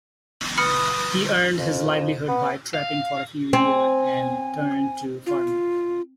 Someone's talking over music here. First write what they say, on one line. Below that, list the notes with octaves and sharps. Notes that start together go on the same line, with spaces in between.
He earned his livelihood by trapping for a few years, then turned to farming.
B4 B5 D#6 F6 C#7
F2
B3
F5
C4 G#5
F4